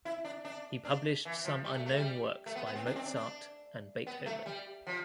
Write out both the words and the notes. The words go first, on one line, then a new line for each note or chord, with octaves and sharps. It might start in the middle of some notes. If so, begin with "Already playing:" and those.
He published some unknown works by Mozart and Beethoven.
E4
D4
D4
D4
E3
F3
G3
A3
A3
G3
A3
B3
B3
C4
D4
C4
D4
D4
B3
A3
G3
F3